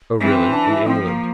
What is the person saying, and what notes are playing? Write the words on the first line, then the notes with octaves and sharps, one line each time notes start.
"Oh, really--in England?"
E3 C4
D4
E4
F3 C4
A#3